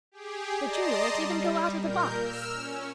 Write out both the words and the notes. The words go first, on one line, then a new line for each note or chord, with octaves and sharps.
"The jury won't even go out of the box."
G4 G#4
D5 D#5 A5 A#5 C6 D#6
G3
A#2 A#4 G6
E6 F6
C#4